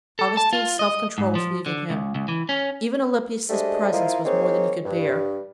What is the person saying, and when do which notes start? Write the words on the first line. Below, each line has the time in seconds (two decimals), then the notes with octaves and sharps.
Augustine's self-control was leaving him; even Alypius' presence was more than he could bear.
0.19 A4
0.37 A5
0.53 F4
0.79 D#5
1.18 G#2
1.35 F3
1.66 D3
1.90 C#2
2.15 C#2
2.28 E3
2.49 C#4
3.50 G#3 A3 D4 G4 C5 D#5
3.93 E4 F4 A#4 C5 D#5
4.25 A#3 C4 D#4 G#4 C#5
4.85 G2